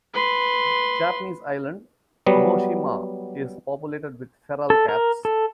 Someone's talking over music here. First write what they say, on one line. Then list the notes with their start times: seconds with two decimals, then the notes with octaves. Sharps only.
Japanese island Aoshima is populated with feral cats.
0.14 B4 C6
2.26 F#3 G3 B3
4.70 A4
4.89 A#4
5.25 A4